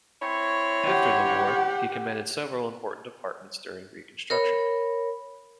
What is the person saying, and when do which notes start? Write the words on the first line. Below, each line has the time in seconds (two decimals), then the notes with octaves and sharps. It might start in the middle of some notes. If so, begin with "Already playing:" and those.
After the war, he commanded several important departments during Reconstruction.
0.22 C4 E4 C#5
0.87 G4 F#5
4.30 A#4 C#5 B5